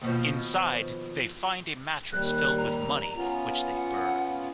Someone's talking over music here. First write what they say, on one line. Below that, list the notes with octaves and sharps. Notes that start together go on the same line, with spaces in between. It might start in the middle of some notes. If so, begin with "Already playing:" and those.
Inside, they find a mattress filled with money-which they burn.
D#2 B2 F3
D#2 G3 F#6
A#5
B3 C#4 F4
F#5